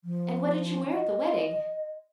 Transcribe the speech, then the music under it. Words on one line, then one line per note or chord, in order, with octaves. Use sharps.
"And what did you wear at the wedding?"
F3
D#5